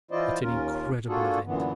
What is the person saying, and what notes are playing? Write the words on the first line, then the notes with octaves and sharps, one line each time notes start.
"What an incredible event!"
E3 E4 F4 C5 D5 D#5
D#2 C#4 F4 A#4
A#3 D4 F4 F#4 G#4 A4
F#2 A#2 D3 E3 B3